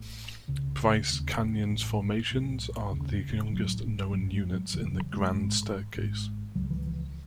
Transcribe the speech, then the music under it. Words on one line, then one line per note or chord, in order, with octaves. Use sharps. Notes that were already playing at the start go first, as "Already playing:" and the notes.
Bryce Canyon's formations are the youngest known units in the Grand Staircase.
Already playing: A1 A2
C#2 C#3
E1 D#2 C#3
A1 A2
B1 A2
E1 D#2 C#3
B1 A2 F#3
A1 G#2 F#3
G#3
F#3
E1 E2 C#3 E3
F#3
G#3
A1 G#2
G#1 G#2
C#2 C#3 F#3
E3
E3